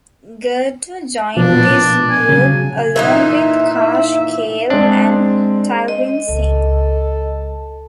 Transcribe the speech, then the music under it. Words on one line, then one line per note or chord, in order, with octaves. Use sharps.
Gurtu joined this group along with Karsh Kale and Talvin Singh.
B2 F3 D4
A#2 B3
G#5
C#3 F#3
A#2 E3 D#4 E5
G#3 C4 D4
D#5
C#2 G#3 A4